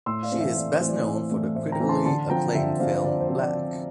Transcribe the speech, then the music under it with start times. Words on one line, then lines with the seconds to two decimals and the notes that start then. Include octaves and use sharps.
She is best known for the critically acclaimed film "Black".
0.06 A2 C6 E6
0.23 D5 F5
0.32 E3 A3 C4
0.39 C5 E5
0.56 A2 D5
0.73 C5
0.81 E3 A3 C4
0.89 D5
1.06 A2
1.31 E3 A3 C4
1.55 A2 C5 E5
1.72 G5 A#5
1.80 E3 A3 C4
1.89 A5 C6
2.05 D3 A5 C6
2.30 F3 C4 G5 A#5
2.54 D3 E5 G5
2.79 F3 C4 D5 F5
3.04 D3 D5
3.20 C5
3.29 F3 C4
3.38 D5
3.54 D3